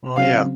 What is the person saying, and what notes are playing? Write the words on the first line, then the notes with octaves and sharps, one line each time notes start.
Well, yeah.
C#3 F#3 C4 F5